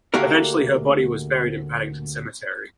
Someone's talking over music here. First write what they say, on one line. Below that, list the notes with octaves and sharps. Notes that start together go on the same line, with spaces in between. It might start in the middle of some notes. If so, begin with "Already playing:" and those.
Eventually her body was buried in Paddington cemetery.
D2 A3 A#3 F#4 G4 A#4